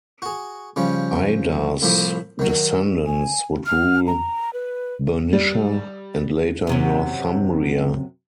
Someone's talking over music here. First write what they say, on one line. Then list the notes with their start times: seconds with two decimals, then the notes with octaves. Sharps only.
Ida's descendants would rule Bernicia and later Northumbria.
0.22 F#4 G#4
0.76 C#3 F3 G3 C#4
1.82 C2 A2 F3 D6
2.39 D#3 F#3
3.06 G#5
3.66 F6
4.07 A#5
4.53 B4
5.33 G3
6.67 F#2 C3 F#3